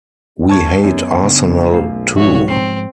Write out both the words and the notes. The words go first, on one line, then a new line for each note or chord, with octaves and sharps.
We hate Arsenal, too.
G1 A5 C#6 G#6
F#2 B3
C#3 D4
B1 A3 F5
G#2 F3 G#3 F#4 C#5 E5
C4 C7